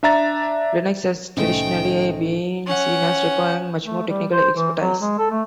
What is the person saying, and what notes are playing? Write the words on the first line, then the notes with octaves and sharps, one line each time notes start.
Linux has traditionally been seen as requiring much more technical expertise.
D4 E5 A#5 A6
C2 A2 D#3 A3 C#4 C5 D#5 G5
C#4 F#5
A3
G3
C5
E3
F#3
G#3
A4
A3